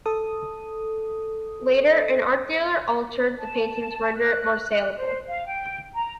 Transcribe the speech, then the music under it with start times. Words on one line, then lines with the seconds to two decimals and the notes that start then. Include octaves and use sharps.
Later an art dealer altered the painting to render it more saleable.
0.06 A4 D#6
3.39 A5
4.17 F#6
4.97 C5
5.27 F5
5.47 G5
5.94 A#5